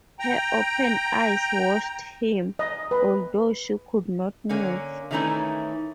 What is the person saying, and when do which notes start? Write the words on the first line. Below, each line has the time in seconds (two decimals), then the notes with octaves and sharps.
Her open eyes watched him, although she could not move.
0.19 G5 A#5
2.59 D#5
2.91 B4
4.49 D3 A#3 C#4
5.11 D#3 E3 A3 C#4 D#4 E4